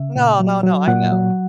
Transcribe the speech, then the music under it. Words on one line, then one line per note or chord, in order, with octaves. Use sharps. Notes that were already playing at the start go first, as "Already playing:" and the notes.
No, no, no, I know.
Already playing: C#3 E5
A#2
F#3
F#3
A#2 F#5
F#3